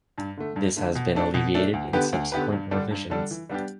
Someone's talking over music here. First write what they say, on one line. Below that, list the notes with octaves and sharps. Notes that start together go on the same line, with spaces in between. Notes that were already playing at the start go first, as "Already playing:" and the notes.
This has been alleviated in subsequent revisions.
G2
D3 A3
G2
D3 A3
B2
A3 D4 A4
B2
A3 D4 A4
D2
D3 B3 G4 B4
D2
D3 B3 G4 B4
G2
D3 G3 D4 A4
G2
D3 G3 D4 A4
E3
G3 B3 D4 G4